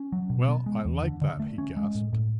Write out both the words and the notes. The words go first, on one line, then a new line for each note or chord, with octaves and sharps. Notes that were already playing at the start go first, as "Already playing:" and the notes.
"Well, I like that!" he gasped.
Already playing: C#4
F#3
B2
B3
G#3
E2
D3
D3
A3
C#4
G#3
A2
A2